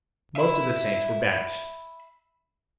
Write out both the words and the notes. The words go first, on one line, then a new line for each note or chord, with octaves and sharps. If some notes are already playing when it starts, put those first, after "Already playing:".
Most of the saints were banished.
E5 B5